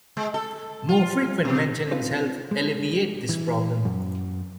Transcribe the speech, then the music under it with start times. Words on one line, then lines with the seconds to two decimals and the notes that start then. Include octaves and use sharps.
More frequent maintenance helped alleviate this problem.
0.17 G#3
0.34 A4
0.89 F4
1.45 B2
1.91 C4 D#4 F4 B4 C5
2.51 G#3
3.29 E3
3.85 F#2